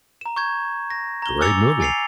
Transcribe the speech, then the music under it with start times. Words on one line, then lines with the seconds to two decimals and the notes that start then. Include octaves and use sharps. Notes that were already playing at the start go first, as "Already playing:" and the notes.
Great movie.
0.21 A#5 E7
0.36 C#6 G6 G#6
0.90 A#6
1.22 A#5 G7
1.41 G#5 D6 E6 A6 C#7 F7
1.80 G#5 A6 C7 C#7 F7